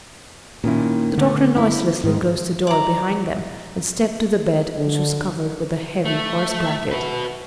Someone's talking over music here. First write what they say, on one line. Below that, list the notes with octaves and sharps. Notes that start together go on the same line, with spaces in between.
The doctor noiselessly closed the door behind them, and stepped to the bed, which was covered with a heavy horse-blanket.
A#2 D#3 C#4 E4
D3 A3 B3
E4
G#2 D#3 G#3
D5 A#5
D3
A3 E5
F#4 B4